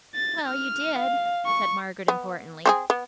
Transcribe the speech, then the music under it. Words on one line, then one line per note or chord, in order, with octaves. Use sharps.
"Well, you did," said Margaret importantly.
A6
F6
F5
C#6
B3
C4 F#4 G#4
B3